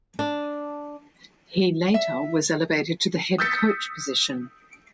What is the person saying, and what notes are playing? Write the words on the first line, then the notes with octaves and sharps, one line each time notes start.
He later was elevated to the head coach position.
D4
E5
D#6 E6 G6 A6 B6 C#7